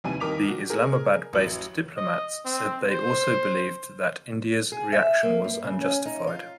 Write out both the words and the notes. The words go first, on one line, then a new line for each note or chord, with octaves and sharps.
The Islamabad-based diplomats said they also believed that India's reaction was unjustified.
D#2 C3 E3 G3 G#5 D#7
D#2 D#4 A#4 D6 B6 F7
F#4
G#4 A#4
A1 F#3 F#7
D#5
C4
C5
G#4
E5
A#3
G2
C#3
C#4
D#4
F4